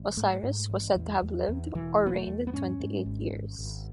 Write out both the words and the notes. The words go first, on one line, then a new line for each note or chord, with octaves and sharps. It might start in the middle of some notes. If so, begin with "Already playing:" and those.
Osiris was said to have lived or reigned twenty-eight years.
Already playing: A1
G#2 A3
G#2
A1
E2
E2
E2
E1 E3
E1
B3
A3
E2
B3
G#2 C#4
G#2
G#1
G#1
G#1